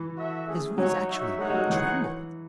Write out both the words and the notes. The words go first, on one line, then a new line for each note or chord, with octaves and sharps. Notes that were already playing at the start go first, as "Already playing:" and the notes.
His voice actually trembled.
Already playing: E3
F#4 A4 E5
A3 C#4 G#4
F#3 D#4 F#4 C#5
D#4 F#4 C#5 E5
G#3 A3 D#4 A4 C#5 F#5
G#3
F#3
E3 D#4 G#4 C#5 F#5